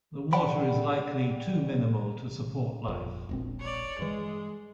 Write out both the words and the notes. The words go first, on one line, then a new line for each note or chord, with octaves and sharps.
The water is likely too minimal to support life.
D5 F#5 G5 B5
G1 F2 A#2
E1 A#1 C4
C#5 D5
G2 E3 G#3